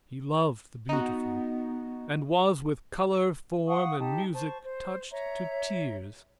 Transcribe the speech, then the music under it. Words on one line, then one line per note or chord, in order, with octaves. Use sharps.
He loved the beautiful and was with color, form and music touched to tears.
B3 D#4 F#4
F5 F#5 C#6 D#6
D#4 G4 A5
C5 A5 C#6
C5
C#5 E5 A#5